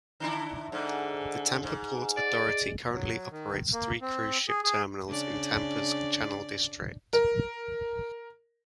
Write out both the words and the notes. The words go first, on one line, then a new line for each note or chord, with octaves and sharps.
The Tampa Port Authority currently operates three cruise ship terminals in Tampa's Channel District.
D3 D4 E4
G#2 D3
G#2
D5
F#3
D#3
A#3
C4
G#4
G#4
C#3 D4 D5
A#4